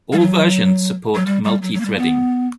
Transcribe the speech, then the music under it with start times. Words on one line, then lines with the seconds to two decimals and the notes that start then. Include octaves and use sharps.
All versions support multi-threading.
0.13 G3
0.20 F#3
1.15 F#3
1.26 G3
1.44 G3
1.62 F#3
1.74 F#3
1.80 A#3
1.85 G3
1.97 B3